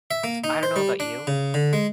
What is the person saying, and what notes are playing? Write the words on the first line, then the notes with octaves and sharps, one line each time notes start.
I don't know about you,
E5
A#3
D#4
C5
G3
D4
C#3
D3
G#3